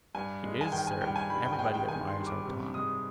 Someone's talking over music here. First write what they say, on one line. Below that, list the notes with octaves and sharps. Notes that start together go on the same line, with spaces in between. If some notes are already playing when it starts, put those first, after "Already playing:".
"He is, sir; everybody admires our Tom."
G2 G#5
G#3
G#5
D#3 G5
G#5
G2 G5
G#5
G2 B5
G5
G#5
G#3 G5
G5
D#3 G#5
C6
G2
D6
C3
G#3 D#6